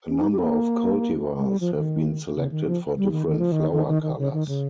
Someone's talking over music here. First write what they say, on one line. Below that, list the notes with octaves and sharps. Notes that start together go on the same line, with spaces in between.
A number of cultivars have been selected for different flower colours.
C#4
D#4
G4
C4
A#3
G#3
G3
F3
D#3
C#3
D#3
F3
G3
D#3
D#3
F3
D#3
D#3
D#3
D#3
C#3
D#3
C#3